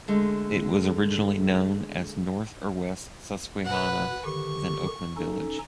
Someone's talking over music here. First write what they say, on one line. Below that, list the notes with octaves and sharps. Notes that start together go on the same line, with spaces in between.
It was originally known as North or West Susquehanna, then Oakland village.
D3 G#3 A3
B2 B4 F#5
D3 D#3 G4 C#6
C#4 D#4 A4